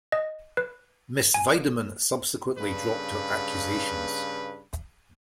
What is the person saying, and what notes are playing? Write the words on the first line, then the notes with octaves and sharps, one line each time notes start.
Miss Weideman subsequently dropped her accusations.
D#5
B4
G#5
G2 C#3 B4